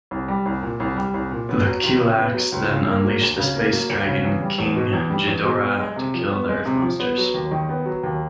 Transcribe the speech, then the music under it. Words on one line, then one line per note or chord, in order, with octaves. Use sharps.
The Kilaaks then unleash the space dragon King Ghidorah to kill the Earth monsters.
C2
G3
C2
A#2
C2
G3
C2
A#2
B3
F#3
C#2
C#3
B3
F#3
C#2
C#3
A#3
F#3
D2
C#3
A#3
F#3
D2
C#3
E2
G3
E2
B2
E2
G3
E2
B2
B3
G#3
C3
F3
B3
G#3
C3
F3
B3
F#3
D#2
D#3
B3
F#3
D#2